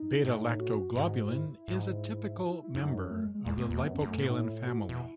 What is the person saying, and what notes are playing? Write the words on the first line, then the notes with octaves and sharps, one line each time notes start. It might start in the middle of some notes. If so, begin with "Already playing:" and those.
Beta-lactoglobulin is a typical member of the lipocalin family.
Already playing: D#4
A2
F#4
G#2
E4
G#2
F#4
E4
E4
F#2 D#4
D#4
C#4
A3
G#3
G#3
E2 G#3
F#2 A3
B3
E2 A3
F#2 B3
C#4
F#2 A3
A2 B3
D#4
E4
F#4
E4
B2